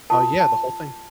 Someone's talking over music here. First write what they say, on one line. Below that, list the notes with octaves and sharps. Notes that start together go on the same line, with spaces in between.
Uh, yeah, the whole thing
F4 A#4 A5
A5